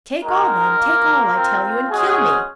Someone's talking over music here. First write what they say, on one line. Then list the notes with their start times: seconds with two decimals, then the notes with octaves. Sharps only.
"Take all, then--take all, I tell you, and kill me!"
0.23 G#3 D#4 F#4 A#4
0.79 A#3 F4
1.35 C4 F4
1.91 G#3 C#4 F#4 G#4